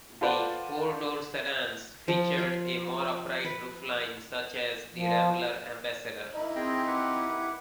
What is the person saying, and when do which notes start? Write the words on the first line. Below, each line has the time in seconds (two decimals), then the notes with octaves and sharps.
The four-door sedans featured a more upright roofline such as the Rambler Ambassador.
0.21 F4 A4 B4 C5 D5 F#5
2.08 F3
2.38 F4
3.44 B4
4.94 F3
6.35 A#3 D#4 E4
6.56 C4 G#4 D#5 G5
6.87 G4 B4 F#5